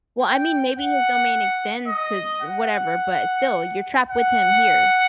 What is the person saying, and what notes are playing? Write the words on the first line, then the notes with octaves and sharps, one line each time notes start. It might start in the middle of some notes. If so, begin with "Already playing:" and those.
Well, I mean, maybe his domain extends to d whatever, but still, you're trapped with him here.
G5
F#5
D#5
F#5
F#5